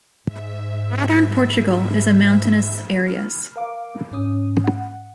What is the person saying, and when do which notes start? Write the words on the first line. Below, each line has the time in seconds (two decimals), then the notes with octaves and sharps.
Northern Portugal is a mountainous areas.
0.24 G#2 E5
3.08 F6
3.56 A#4 F5 D6
4.11 G#2 C#4 D#6
4.64 F#5